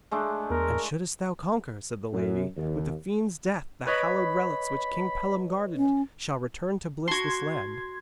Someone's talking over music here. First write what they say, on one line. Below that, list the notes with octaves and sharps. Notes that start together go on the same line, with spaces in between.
'And shouldst thou conquer,' said the lady, 'with the fiend's death the hallowed relics which King Pellam guarded shall return to bless this land.
G#3 A3 D4
E2 A#4
F#2
D#2
B4 C#5 D#5 B5
C#4
F#4 A5 C6 G#6